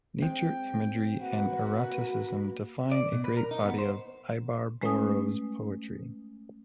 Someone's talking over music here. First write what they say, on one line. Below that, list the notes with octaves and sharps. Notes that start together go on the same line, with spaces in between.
Nature imagery and eroticism define a great body of Ibarbourou's poetry.
G#3 C4 G5
A#3 F#4 B4 F#5
D5
B2
B4
A#4
D#4
B3
C5
G#3 A3 C#4 B4 G#5 D#6